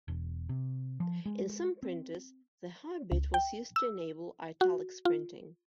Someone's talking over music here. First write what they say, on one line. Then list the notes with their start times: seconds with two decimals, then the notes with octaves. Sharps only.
In some printers, the high bit was used to enable Italics printing.
0.08 E1
0.49 C3
1.00 F3
1.26 G#3
1.83 C4
3.12 C#2
3.34 G5
3.76 E6
4.61 F#4
5.05 F4